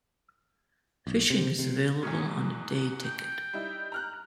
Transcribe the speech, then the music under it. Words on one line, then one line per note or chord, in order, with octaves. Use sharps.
Fishing is available on a day ticket.
B1
C3
C3
E2 G#2 B2 C#4
F#5
G5
G3 D#4 E4
A#5 F6 F#6